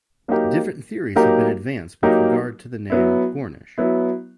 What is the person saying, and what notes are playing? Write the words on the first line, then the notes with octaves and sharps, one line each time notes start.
Different theories have been advanced with regard to the name Gornish.
F#3 A#3 D#4 G4 A#4
F#3 A#3 D#4 G4 A#4
F#3 A#3 D#4 G4 A#4
F#3 B3 E4
F#3 B3 E4